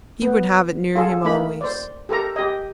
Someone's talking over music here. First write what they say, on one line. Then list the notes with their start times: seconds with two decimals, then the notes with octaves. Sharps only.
He would have it near him always.
0.22 B3
0.95 F4 G#4 A4
1.25 A3 A#3 D#4 B5
1.61 C5 D5
2.09 G4 A4 A#4 A#5
2.36 G4 D#5